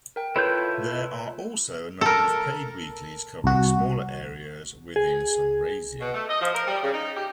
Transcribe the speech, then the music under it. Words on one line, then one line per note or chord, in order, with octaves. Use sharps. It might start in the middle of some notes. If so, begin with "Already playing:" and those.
There are also a number of paid weeklies covering smaller areas within Sunraysia.
A#4 G5
E4 F4 A4 B4 C#5 G6
A4 A#4
C2 F#4
G#4
B2
A3
D#5
F3
A#4
G3
C#3
D#4
G4